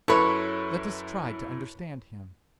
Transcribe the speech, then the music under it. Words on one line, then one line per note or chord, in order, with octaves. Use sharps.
Let us try to understand him.
F#2 E4 A4 B4 C#5 B5 C#6